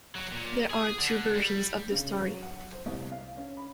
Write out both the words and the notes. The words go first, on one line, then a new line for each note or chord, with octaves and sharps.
There are two versions of the story.
F#3
A#2
G#4
D3
G3
C#3
F#3
F#5
C5
C2
F5
C#4
B5